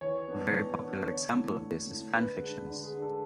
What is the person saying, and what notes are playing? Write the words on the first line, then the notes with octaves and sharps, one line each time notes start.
A very popular example of this is fan fictions.
E3 C#5
B3 D4
E3
B3 D4
D3 C#5
A3 E4
D3
A3 E4
D3 B4
G#3 D4
D3
G#4
G#3 D4
A4